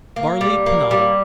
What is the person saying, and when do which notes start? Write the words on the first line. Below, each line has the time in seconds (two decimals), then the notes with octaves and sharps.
Barley Panada.
0.16 A#3
0.41 G3
0.66 A#3
0.91 G3